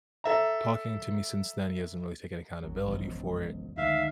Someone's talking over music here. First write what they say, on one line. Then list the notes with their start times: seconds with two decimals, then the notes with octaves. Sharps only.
talking to me since then, he hasn't really taken accountability for it
0.24 A4 E5 A#5
2.63 A1 F#2 F#3
2.87 E1 C#2 F3
3.77 D2 D#3 G#3 D#4 E5 F5